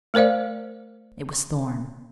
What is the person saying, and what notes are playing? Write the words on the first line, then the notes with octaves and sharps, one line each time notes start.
It was Thorn.
A3 A#4 C5 D5 F5